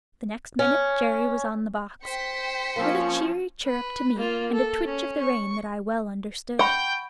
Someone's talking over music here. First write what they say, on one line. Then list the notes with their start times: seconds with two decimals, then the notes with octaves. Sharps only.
The next minute Jerry was on the box; with a cheery chirrup to me, and a twitch of the rein that I well understood.
0.59 C#4
2.04 C5 G5 B6 C#7
2.76 F3 A#3 C4 C#4
3.67 B4
4.16 A#3 F4
4.53 A4
4.85 C#4
5.20 C#6
6.59 E5 F#5 G5 B5 C#6 G6